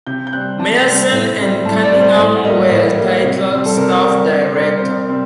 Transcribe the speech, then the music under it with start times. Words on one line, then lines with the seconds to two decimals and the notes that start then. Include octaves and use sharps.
Meyerson and Cunningham were titled "Staff Director".
0.07 C3 G6
0.27 G6
0.33 G3 C4 F#6
0.59 C3 A5
0.86 G3 C4
1.12 A2
1.39 G3 C4
1.65 A2 A5
1.83 D5
1.92 G3 C4
2.00 C5
2.18 A2
2.36 F#5
2.45 G3 A#3 D#5
2.71 A2
2.98 G3 A#3
3.24 C3
3.51 G3 C4
3.66 A4
3.77 C3 A#4
4.03 G3 C4 A#4
4.30 C3
4.43 C5
4.56 G3 C4 A#4
4.69 A#4
4.77 C5
4.82 C3 A#4
5.09 G3 C4